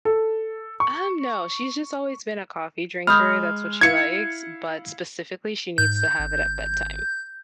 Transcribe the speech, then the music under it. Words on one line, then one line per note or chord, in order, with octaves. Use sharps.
Um, no, she's just always been a coffee drinker. That's what she likes, but specifically, needs to have it at bedtime.
A4
C#6
G#3 B5 D#6 F6 G6
E4 F5 G#6 C#7
G#2 G6
G#1